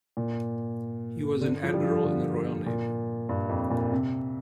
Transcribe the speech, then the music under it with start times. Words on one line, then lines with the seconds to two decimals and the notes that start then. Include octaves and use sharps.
He was an admiral in the Royal Navy.
0.17 A#2
1.41 D3
1.63 F3
1.74 G3
1.83 F3
2.04 D3
2.66 A#2
3.29 G2
3.49 F2
3.70 A#2
3.92 C3